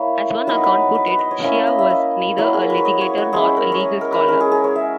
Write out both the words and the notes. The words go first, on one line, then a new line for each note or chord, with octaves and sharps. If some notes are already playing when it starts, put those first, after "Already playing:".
As one account put it: Shea was neither a litigator nor a legal scholar.
Already playing: A#3 E4 C#5
F#3 B3 D#4 B4
B4
B4
B4
D#5
C#5
A#3 C#4 E4 B4
C#5
D#5
E5
D#5
F#3 A#3 E4
G#4
A#4
B4
C#5
D#5
C#5
F#4
G#3 C#4 E4 G#4
A#4
C#5
D#5
A#4
B4
G#3 C#4 E4 A#4
G#4
G#4
C#5
E5